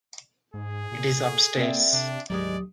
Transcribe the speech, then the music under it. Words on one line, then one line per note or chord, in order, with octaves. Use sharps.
It is upstairs.
G#2 G#4
A#2
A4
A#3 C4 D5 E5
C3 D4
D2 G#2 D#3 F#3 G#3 G4 D5 D#6